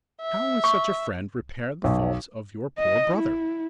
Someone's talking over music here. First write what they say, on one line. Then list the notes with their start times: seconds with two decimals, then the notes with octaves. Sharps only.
How would such a friend repair the faults of your poor brother!
0.22 E5
0.64 C#6
1.84 B1
2.79 D#5
3.16 E4